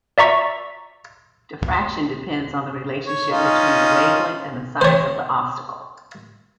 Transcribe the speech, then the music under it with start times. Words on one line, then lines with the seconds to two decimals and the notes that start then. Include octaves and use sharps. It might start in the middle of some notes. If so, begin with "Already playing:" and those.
Diffraction depends on the relationship between the wavelength and the size of the obstacle.
0.18 D5 E5 A#5 C#6 B6
3.06 C#5
3.31 C#4 D#4 F4
4.81 C5 C#5